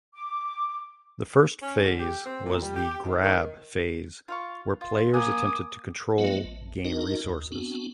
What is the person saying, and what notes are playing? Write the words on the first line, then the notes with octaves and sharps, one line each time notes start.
The first phase was the "grab" phase where players attempted to control game resources.
D6
C#4
D3
G4
C4
A#2
G3
G4
G#2
D#3
F4 F5 C#6
F4
A#3 G#5 D6 D#6
F#3 A3 B3 F4 B4 D#5
A1
D4 D#4 F#4 A#4 D#5
D#2
B3 C4 D4 F#4